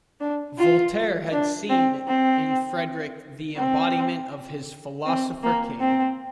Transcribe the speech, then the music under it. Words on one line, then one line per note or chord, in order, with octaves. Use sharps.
Voltaire had seen in Frederick the embodiment of his "Philosopher King".
D4
F4
D4
C4
C4
C4
C4
A#3
C4